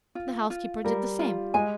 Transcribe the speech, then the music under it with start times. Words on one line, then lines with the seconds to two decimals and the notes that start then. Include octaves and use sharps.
The housekeeper did the same.
0.15 F4
0.50 F4
0.85 G3 A#4
1.19 F4
1.54 G#3 G#5